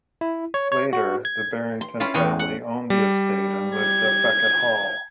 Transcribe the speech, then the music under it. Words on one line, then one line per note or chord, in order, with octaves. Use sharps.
Later the Barrington family owned the estate and lived at Beckett Hall.
E4
C#5
C#5
F#4
G#6
C6
C#4 E4 F4 F5
E2 F#4 F5 G5 G#5
F#5
G3
G#6